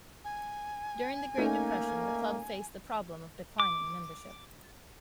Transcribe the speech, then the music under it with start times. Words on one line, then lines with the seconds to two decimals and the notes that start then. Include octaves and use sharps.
During the Great Depression the club faced the problem of declining membership.
0.24 G#5
1.38 A3 A#3 C#4 D#4
3.60 D6